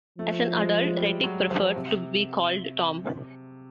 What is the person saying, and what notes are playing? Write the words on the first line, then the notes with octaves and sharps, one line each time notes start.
As an adult, Rettig preferred to be called Tom.
F3 A3
G#3
G#3
G3
F#3
F3
C3